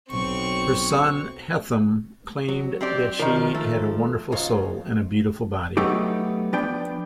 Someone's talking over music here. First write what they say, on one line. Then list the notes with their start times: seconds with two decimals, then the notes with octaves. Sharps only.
Her son Hethum claimed that she had a wonderful soul and a beautiful body.
0.10 B1 C4 C#6
2.48 F#3
2.81 C4 G4 D5
3.19 D#3 F3 A#4
3.55 A3 A4
4.32 G#2 C#3 F4
5.77 F#3 A3 B3 D#4 G4
6.53 F3 B3 D4 G5